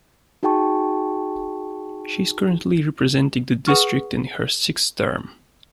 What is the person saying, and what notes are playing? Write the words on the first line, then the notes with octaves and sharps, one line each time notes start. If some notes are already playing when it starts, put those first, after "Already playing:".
She is currently representing the district in her sixth term.
D#4 F#4 G#4 G5 A5 C#6
G#4 B4 F#5 C#6 F6